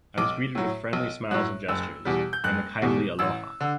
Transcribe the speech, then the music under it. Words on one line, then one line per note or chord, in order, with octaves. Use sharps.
I was greeted with friendly smiles and gestures and the kindly aloha.
B1 D6
A2 F#3
B1
A2 F#3 F#6
F#1 E6
E2 B2 G3
G6
F#1 F#6
E2 B2 G3
A1 E6
D3